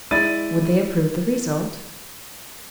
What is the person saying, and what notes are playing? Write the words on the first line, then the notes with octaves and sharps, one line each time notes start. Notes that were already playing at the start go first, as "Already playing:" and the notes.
Would they approve the result?
G#3 E4 D5 A6 D#7